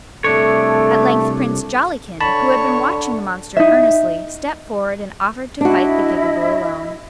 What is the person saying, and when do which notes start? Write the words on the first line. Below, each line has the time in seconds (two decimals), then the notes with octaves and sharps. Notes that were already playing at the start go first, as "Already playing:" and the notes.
At length Prince Jollikin, who had been watching the monster earnestly, stepped forward and offered to fight the Gigaboo alone.
0.24 C2 A3 D4 A4 C#5
2.21 D3 C#5 A5 B5
3.57 D#4 E5
5.61 D4 E4 F#4 D#5